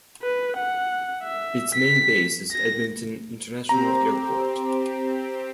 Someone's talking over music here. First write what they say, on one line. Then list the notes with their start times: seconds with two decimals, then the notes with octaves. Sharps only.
Its main base is Edmonton International Airport.
0.22 B4
0.56 F#5
1.24 E5
1.74 B6
2.53 A#6
3.69 C4 G4 A#5